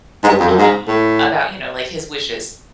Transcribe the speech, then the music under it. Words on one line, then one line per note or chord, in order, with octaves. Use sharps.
um, about, you know, like, his wishes
G#2
G2
F2
F#2
G#2
A2